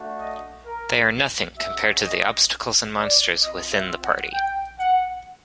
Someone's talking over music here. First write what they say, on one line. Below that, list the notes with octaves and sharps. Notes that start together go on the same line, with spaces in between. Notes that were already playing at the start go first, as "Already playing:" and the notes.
They are nothing compared to the obstacles and monsters "within" the party.
Already playing: A3 D4 F#4
D#5
A#4
G#3 C#4 F#4 E5
D#5
D5
C4 F4 D#5
E5
F#5
G5
F#5